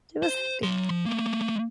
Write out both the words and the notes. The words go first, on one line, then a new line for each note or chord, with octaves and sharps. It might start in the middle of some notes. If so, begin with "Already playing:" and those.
She was happy.
C5
F#3 C6
F3
A3 A#3